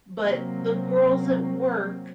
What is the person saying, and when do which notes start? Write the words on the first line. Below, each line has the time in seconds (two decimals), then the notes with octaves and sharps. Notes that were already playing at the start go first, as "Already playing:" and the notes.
But the girls at work
0.20 C3 F#3 A#3 C4